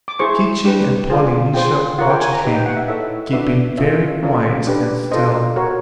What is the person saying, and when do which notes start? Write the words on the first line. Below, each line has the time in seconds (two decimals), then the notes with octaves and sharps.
Chee-Chee and Polynesia watched him, keeping very quiet and still.
0.08 D6
0.19 E4 G#4 C5 C#6
0.65 D4 G4 B4
1.10 F4 G#4 C5
1.54 F4 G#4 C5 G5
1.98 F4 A#4 C#5 F#5
2.10 G5
2.21 G#5
2.32 A#5
2.44 D#4 G4 B4
2.55 G5
2.66 F#5
2.77 E5
2.88 E4 A4 C#5 E5
3.33 D4 F#4 B4 E5
3.77 C#4 F4 G#4 E5
4.23 C#4 F4 A4
4.67 D4 G4 B4
5.11 F4 A4 C5 D#5
5.56 F#4 A#4 C#5